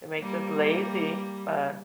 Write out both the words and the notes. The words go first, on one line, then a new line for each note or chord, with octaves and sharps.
It makes us lazy, but,
G3 A#3